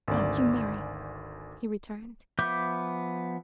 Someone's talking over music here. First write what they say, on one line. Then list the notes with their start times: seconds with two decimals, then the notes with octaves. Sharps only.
"Thank you, Mary," he returned.
0.08 G#1 D2 D5
2.39 F3 B3 E5 D6 G6